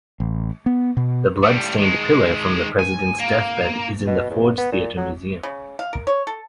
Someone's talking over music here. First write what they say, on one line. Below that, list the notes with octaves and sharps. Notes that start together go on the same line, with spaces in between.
The blood-stained pillow from the President's deathbed is in the Ford's Theatre Museum.
A1
B3
B2
A2 G3
D#3 G#3
G#5
A#3
B2
E2
B3
A#2
F#3
C#3
F5
A#4
C#5
A4